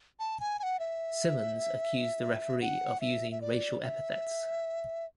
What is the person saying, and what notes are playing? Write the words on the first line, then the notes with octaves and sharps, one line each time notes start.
Simmons accused the referee of using racial epithets.
A5
G#5
G#5
F#5
E5
F#5
E5
E5
D5
E5